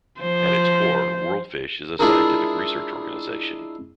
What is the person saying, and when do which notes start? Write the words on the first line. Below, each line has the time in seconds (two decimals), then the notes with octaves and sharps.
At its core, WorldFish is a scientific research organization.
0.21 F3 C5
1.99 G#3 D4 E4 F4 G#4 A#4